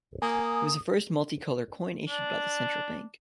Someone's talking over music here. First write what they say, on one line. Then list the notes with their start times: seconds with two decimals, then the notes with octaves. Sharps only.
It was the first multi-colour coin issued by the Central Bank.
0.22 A#3 G#5 D#6
2.09 D4